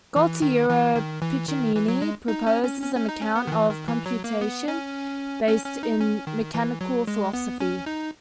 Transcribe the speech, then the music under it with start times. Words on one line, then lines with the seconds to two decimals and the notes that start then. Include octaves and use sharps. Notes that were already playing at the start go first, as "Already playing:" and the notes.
Gualtiero Piccinini proposes an account of computation based in mechanical philosophy.
0.16 E3
0.42 D#3
0.70 E3
0.96 D#3
1.22 E3
1.48 D#3
1.76 E3
1.88 F#3
2.02 G#3
2.28 D#4
2.47 C#4
2.63 C#4
2.82 C#4
2.96 C#4
3.09 D#4
3.22 C#4
3.36 B3
3.47 D#3
3.52 E3
3.70 D#3
3.88 E3
4.06 F#3
4.24 A#3
4.41 B3
4.68 C#4
5.48 C#4
5.66 C#4
5.83 D#4
6.01 C#4
6.27 D#3
6.54 E3
6.81 F#3
7.08 G#3
7.33 B3
7.60 C#4
7.86 D#4